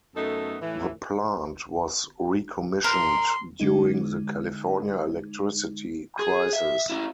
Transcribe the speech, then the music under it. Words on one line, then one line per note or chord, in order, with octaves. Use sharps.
The plant was recommissioned during the California electricity crisis.
F#2 A3 B3 D#4 A4
A2 E3
A#4 C6
D3 G#3 D#4
G#4
E5
C#4 E4